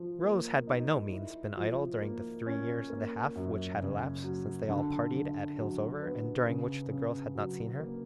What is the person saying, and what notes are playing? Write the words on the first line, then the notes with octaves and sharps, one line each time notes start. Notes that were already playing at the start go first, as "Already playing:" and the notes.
Rose had by no means been idle during the three years and a half which had elapsed since they all parted at Hillsover, and during which the girls had not seen her.
Already playing: F3
A#3
D#4
E4
F3
A#3
C#4
A#3
F#2
C#3
F#3
D3
D3
F#3
B3
C#3
C#3
F#3
A#3